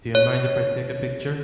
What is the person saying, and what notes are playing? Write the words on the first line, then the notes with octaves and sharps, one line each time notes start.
Do you mind if I take a picture?
C#5